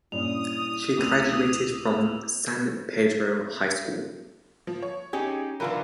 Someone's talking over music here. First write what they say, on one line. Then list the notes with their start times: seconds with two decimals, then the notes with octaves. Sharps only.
She graduated from San Pedro High School.
0.12 G2 A#2 C#4 E4 D#6 F7
0.97 D2 C4 D6 E6 D#7 F7
4.67 F3
4.82 C#5
5.13 C#4 D#4 G4 G#4
5.60 D3 E3 F#3 F4 A#4 B4